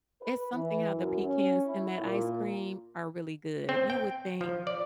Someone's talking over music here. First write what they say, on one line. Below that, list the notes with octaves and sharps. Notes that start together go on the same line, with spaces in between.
It's something how the pecans in that ice cream are really good. You would think
B4
E3
F#2
C#4
E4
A#2
C4
G5
F3
D5